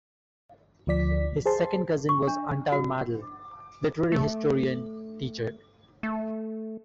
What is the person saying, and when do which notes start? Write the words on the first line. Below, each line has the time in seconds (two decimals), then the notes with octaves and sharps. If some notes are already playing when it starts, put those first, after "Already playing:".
His second cousin was Antal Mádl literary historian, teacher.
0.87 D2 F3 D5 B6
1.46 G#4 C5 A5 C6
2.09 C#6
2.27 D4
2.72 F#4
4.12 A3
6.03 A3